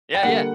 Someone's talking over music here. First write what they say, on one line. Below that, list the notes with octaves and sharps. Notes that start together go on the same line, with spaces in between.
Yeah, yeah.
G5
D3 G3 A#3 F#5